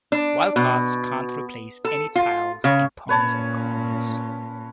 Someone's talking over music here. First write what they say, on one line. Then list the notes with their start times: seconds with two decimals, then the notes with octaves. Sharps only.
Wildcards can't replace any tiles in Pongs and Kongs.
0.12 D4
0.56 B2
1.85 A4
2.15 F4
2.64 C#3
3.09 A#2 C#4 B4 C#5 A5